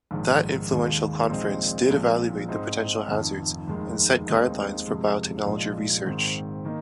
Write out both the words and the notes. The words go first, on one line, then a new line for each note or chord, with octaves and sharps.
That influential conference did evaluate the potential hazards and set guidelines for biotechnology research.
A#1 G#2 D#3
D#2 D#3 G#3
A#1 A#2 G#3 C4 D#4
A#1 A#2 G#3 C4
G#2 G#3 C4 D#4
F1 F2 D#3
F1 D#2 D#3 G#3
D#2 D#3 G#3 C4 D#4
F2 C3 G#3
A#1 A#2 G#3 D#4
G#2 D#3 C4
D#3 A#3 D#4